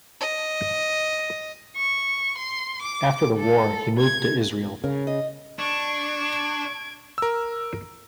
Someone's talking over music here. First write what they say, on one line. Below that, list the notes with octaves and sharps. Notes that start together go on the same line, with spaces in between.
After the war he moved to Israel.
D#5
C#6
C6
D6
A4
G#6
C#3 A#4
D#5
D4 C#6 G#6 D7
A#4 E6